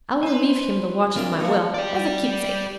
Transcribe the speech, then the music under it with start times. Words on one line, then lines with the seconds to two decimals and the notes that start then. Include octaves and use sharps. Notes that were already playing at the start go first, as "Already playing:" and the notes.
"I will leave him the watch in my will, as a keepsake."
0.23 B4 C5 G#5
1.16 C4 D4 F4 G4 A#4 E5
1.40 F3 G#3 A#3 B3 D4 A4
1.74 G4 D5